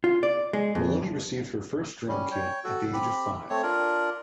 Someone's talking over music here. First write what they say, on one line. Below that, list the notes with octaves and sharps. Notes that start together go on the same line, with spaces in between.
Maloney received her first drum-kit at the age of five.
F4
D5
G#3
F2
G3 C#4
C#5 G5
F#4 A4
C4 G4 B5
A3 C4 C#5
D4 F4 A#4